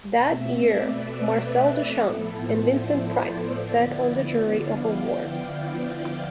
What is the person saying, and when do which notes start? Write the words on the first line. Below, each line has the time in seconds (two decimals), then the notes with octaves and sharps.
That year, Marcel Duchamp and Vincent Price sat on the jury of award.
0.13 B2 A3 C4 E5
0.43 D5
0.70 B4
1.00 B4
1.85 A2 F3 B3 E4 A4
2.29 C5
2.73 D5
3.58 D3 F3 B3 E4
4.45 F5
4.73 G5